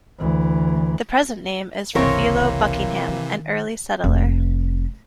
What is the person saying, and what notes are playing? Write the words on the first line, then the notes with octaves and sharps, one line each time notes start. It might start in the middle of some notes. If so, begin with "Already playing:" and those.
The present name is for Philo Buckingham, an early settler.
D2 E3
G1 C#2 C3 E3 A#3 C4 A#4 C#5
D#3
F1